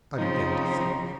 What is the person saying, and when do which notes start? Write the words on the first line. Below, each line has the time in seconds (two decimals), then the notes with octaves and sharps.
I began to think.
0.17 C#3 F3 C4 D#4